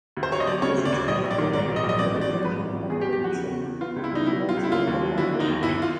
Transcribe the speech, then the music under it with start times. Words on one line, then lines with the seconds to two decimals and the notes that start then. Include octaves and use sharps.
This explains why the video is a little uncohesive and mostly a performance shoot.
0.17 D2
0.23 C5
0.32 D2 C#5
0.40 D#5
0.47 F#3 D5
0.62 C#3 C#5
0.78 D2
0.85 D5
0.92 D2
1.08 A#1 D#5
1.24 A#1
1.31 D5
1.38 D#3
1.53 G#2 D5
1.68 A#1
1.76 D#5
1.84 A#1
1.89 D#5
1.99 A1 D5
2.14 A1
2.21 D5
2.29 F3
2.44 G#2 B4
2.59 A1
2.74 A1
2.89 E2 G#4
3.01 G4
3.05 E2
3.13 G4
3.21 F3 F#4
3.35 C#3
3.50 E2
3.66 E2
3.81 B3 F4
3.96 C#2
4.04 E4
4.11 G3 D#4
4.26 B2 E4
4.41 B3
4.49 F4
4.57 C#2
4.64 E4
4.72 A#3 F4
4.87 D#2
5.02 F#3
5.18 D3 E4
5.33 A#3
5.40 D#4
5.48 D#2
5.63 G1 E4
5.82 F4